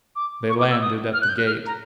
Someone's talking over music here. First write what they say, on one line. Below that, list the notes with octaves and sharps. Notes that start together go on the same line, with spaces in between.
They landed at the gate.
D6
C#6
D6
E6
D#6
F6
F#6
G6
F#6
F6
A#5